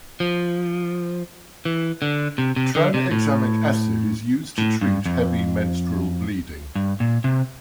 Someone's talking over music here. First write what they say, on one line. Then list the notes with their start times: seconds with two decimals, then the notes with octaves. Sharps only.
Tranexamic acid is used to treat heavy menstrual bleeding.
0.20 F3
1.65 E3
2.02 D3
2.38 C3
2.56 C3
2.75 D3
2.94 C3
3.11 A2
4.58 A2
4.81 G2
5.06 F2
6.76 G2
7.00 A#2
7.24 C3